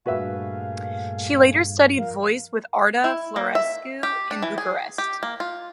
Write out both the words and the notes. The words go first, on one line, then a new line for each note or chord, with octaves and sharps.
She later studied voice with Arta Florescu in Bucharest.
G2 A#2 A3 F#4 G#4 B4 E5 F5
F3 A#4 F5
E4
A#3
E5
G4
D4
E3
G#4
G4
A#3
F4